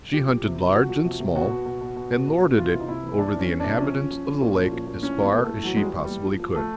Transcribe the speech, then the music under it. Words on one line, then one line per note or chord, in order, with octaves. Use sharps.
She hunted large and small, and lorded it over the inhabitants of the lake as far as she possibly could.
F3 G4
F3
C3
F3
F3 F#4
F3
C3
C3
B2 F#4
B2
B2
B2
B2
B2
B2
B2
E3 F4
C3
D#4
C3 E4
E3
E3 D4
E3 C#4
E3
C3 D4
F3 C#4
F3
F3
F3
A#2
F3
A#2
F3
A2 C#4
E3
B3
A2
A#3
A3
A2
E3 F#3
E3 G#3
G3
E3
G3
A2
F3
F3
F3 A3